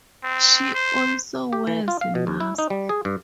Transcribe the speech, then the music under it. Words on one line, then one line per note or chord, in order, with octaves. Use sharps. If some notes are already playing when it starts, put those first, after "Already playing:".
She also wears a mask.
C4
C5
G4
E3
F4
F5
B2
D#2
E4
D#4
G3
G#4
G2